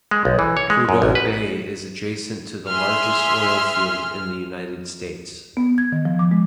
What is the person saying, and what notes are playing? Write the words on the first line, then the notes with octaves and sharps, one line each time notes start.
Prudhoe Bay is adjacent to the largest oil field in the United States.
G#3
B1
E3
C#5
G#3
F#2
A1
B4
G#4 E5 C6 F6
B3
G#6
D#3
F3
D6
G#3